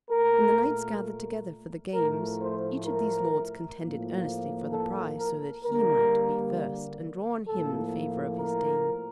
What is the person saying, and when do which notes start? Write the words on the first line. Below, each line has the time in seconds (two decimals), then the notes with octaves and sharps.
When the knights gathered together for the games, each of these lords contended earnestly for the prize, so that he might be first, and draw on him the favour of his dame.
0.10 A#2 A3 A#4
1.94 A2 F3 A3 A#4
2.41 C5
2.86 A#4
3.79 A2 F3 A#3
4.70 A4
5.17 A#4
5.63 D3 G3 A#3 A#4
7.47 A2 F3 A#3 A4
8.38 A#4